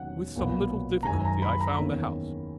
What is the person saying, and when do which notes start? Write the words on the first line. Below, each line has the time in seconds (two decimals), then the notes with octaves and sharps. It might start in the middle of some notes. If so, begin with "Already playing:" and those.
With some little difficulty I found the house.
Already playing: E1 D#2 D#3 F#3 C#4 F#5
0.36 B1 A#2 F#3 B3
1.03 A#5
1.07 F#1 F#2 D#3 G#3 G#5
1.25 A#5
1.42 B5
1.61 A#5
1.78 E2 D#3 A#3 C#4